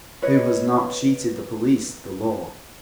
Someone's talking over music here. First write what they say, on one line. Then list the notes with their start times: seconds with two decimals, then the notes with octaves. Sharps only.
Who has not cheated the police, the law?
0.22 B4 C#5 D#5